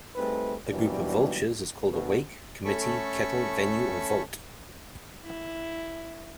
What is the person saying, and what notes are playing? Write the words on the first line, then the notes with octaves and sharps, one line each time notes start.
A group of vultures is called a wake, committee, kettle, venue, or volt.
G3 A3 C4 D#4 G#4 B4
D#2 B2 E3 F#3 G3 D4
D2 B2
A3 C#4 A4 B5 C#6
E4